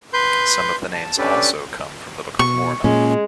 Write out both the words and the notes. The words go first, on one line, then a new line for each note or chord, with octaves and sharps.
Some of the names also come from the Book of Mormon.
B4 C6 G6
A5
C#4 D4 G4 A4 B4 D5
B2 C#6
A#2 G#3 C#4